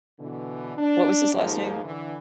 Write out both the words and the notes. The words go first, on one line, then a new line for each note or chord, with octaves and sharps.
what was his last name?
B2 D3 E3
D4
D#2 G#2 F3
D3 E3